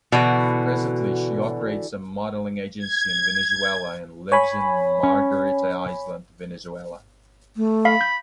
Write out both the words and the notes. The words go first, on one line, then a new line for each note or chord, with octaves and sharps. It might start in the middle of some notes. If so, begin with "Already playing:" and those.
Presently, she operates a modeling agency in Venezuela and lives in Margarita Island, Venezuela.
B2 D3 E3 F#4
G#6
C#5 G#5 B5
C#4
A3
F5 B5
G6